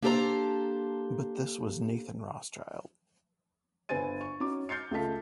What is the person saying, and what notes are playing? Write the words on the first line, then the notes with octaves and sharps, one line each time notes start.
But this was Nathan Rothschild.
A#3 D4 G4 A4 C5 A#5
G1 B4 C5 G#5 A6 D#7
C#6
C#4 D#4 F#4 D6
F6 G6 A6 C7 C#7
C#2 A3 F4 A4 A5 B6